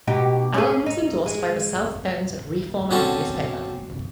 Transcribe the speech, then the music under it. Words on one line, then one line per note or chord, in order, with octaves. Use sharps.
Allen was endorsed by The South Bend Reformer newspaper.
B2 D#4 G4
C#4 G#4
D#4
G#3
B2 D3 C4 C#4 F#4 A4